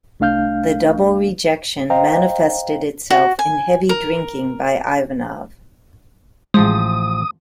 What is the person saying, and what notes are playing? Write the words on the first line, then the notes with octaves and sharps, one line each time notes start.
The double rejection manifested itself in heavy drinking by Ivanov.
C2 A3 D4 F5 F6 G6
C5 D#5 F5 G5 A#5
F#4
G#5
A#4
A1 F3 G#3 C5 D#6